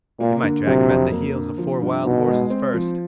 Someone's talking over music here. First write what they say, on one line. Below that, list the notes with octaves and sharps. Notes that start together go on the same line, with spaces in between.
You might drag him at the heels of four wild horses first.'
A#2 A#3
D3
C3 F#3
F2
A#3
D3
F3
G2
B2 D#4
G#3
C4
F3